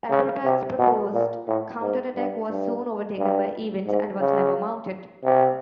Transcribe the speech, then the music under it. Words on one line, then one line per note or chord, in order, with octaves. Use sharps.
Eberbach's proposed counter-attack was soon overtaken by events, and was never mounted.
C#3
C3
B2
A#2
A2
G#2
G2
G2
G2
G#2
C#3
C3